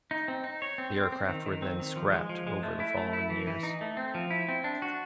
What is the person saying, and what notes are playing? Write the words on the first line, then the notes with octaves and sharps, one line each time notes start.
The aircraft were then scrapped over the following years.
D#4
C4
D#4
C#5
C4
C4
C4
D#3
D#3
C4
D#3
F3
G#3
F3
G#3
A3
E4
A3
E4
E3
E3
D#4
A3
C4
F3
E4
C4
D4
F#4